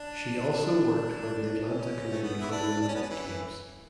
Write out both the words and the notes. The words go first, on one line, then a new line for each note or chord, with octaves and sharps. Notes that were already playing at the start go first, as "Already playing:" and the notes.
She also worked for the Atlanta Committee for the Olympic Games.
Already playing: D4
D4
C#4
A3
B3
E4
D4
D4
C#4
B3
C#4
E3